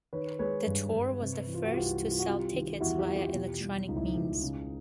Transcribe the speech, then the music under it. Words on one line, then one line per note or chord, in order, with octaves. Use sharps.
The tour was the first to sell tickets via electronic means.
D#3 B4 C#5
G#3 B4 C#5
G2
G2
C3
E3
F4
F#4
C2 F4 G4
C2
F4
F#4
C3 F4 G4
D#3
G4
E2 E4 F#4
F4 G4
E2
F4 G4
B2
G3
C#2 D#4
E4
D#4
C#2
C#3